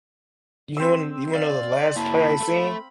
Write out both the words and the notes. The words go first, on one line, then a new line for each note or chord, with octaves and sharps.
you know when you wanna know the last play I seen?
C4 E6
D5 F5
A#3 E4 A5 B5
A3 A4